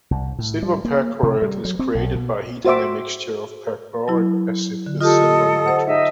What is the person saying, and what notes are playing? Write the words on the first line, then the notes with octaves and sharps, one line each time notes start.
Silver perchlorate is created by heating a mixture of perchloric acid with silver nitrate.
C2
A2
G3
A#3
C3
G3
F#3
C4
B1
B2
F#4 C5 E5 D6
F#3 E4
D3
F4 G4 A4 D#5
C5 F#5
D#4 D#5 E5